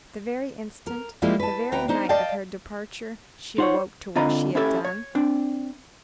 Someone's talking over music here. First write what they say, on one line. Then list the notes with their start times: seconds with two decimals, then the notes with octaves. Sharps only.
The very instant--the very night of her departure, she awoke to what she had done.
0.87 A#4
1.22 F3 G3 G#3 A#3 E4 G4
1.39 B4 A5
1.72 D2 B3 G5 A#5
1.88 D4 D#4 C5
2.09 D5 D#5 F5 G5 A5
3.58 D#4 F4 C5 C#5 F#5
4.16 D3 C4 F4 D#5 A#5 B5
4.55 C#4 E4 G4 A4 C5 C#5
4.85 C#5
5.15 C4 D4